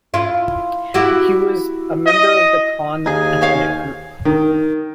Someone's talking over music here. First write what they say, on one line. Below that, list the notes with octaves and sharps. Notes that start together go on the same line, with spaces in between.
He was a member of the Krahn ethnic group.
E4 F4
E4 F#4 G4
D#5
D#2 D#4 G#4 G#5
C5 C#5 F5
D#3